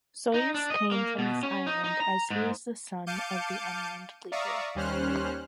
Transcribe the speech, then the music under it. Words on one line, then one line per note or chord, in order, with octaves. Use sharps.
Soyuz came from this island as he is the son of the unnamed leader.
D#4
D4
D#5
A#3
B2
C#4
D#4
D#4
A#5
G#2
F5 A5 D6 G6 C#7 D#7
D5 E5 F5 A#5 C#6 D#6
D#2 G3 C#4 C5 F6 F#6